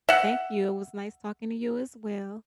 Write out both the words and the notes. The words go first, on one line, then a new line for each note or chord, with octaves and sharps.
Thank you, it was nice talking to you as well.
E5 F#5